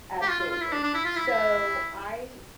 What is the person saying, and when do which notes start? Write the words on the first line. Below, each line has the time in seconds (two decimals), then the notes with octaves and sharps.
Absolutely. So, I
0.21 G4
0.28 F4
0.40 F4
0.50 F4
0.61 E4
0.72 D4
0.83 D4
0.94 E4
1.05 F4
1.16 E4
1.28 E4